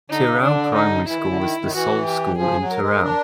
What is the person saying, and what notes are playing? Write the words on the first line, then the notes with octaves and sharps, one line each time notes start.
Tirau Primary School is the sole school in Tirau.
D3 D#4
C#3
D3 D4
D#4
E3 E4
D#3
D3
D#3
D#3
E3 F#4
G4
F3 G#4
F#3
A#4
G#3
D4